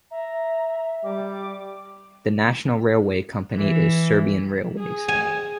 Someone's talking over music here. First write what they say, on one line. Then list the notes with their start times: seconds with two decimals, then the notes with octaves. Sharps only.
The national railway company is Serbian Railways.
0.11 E5 A#5
1.04 G3 D6
3.55 E3
4.78 G#4
5.08 G#5